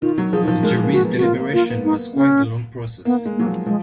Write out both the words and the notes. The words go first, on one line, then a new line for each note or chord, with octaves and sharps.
The jury's deliberation was quite a long process.
D#3 F4
F#3
F3 G#4
D#3
F3
G#3 A#4
A#3
F#4
B3
F#4
A#3 F4
A#3
A#3 F4
B3
D#4
C#4
A#3 B3
G#3
F#3 A#3
F3
F3 G#3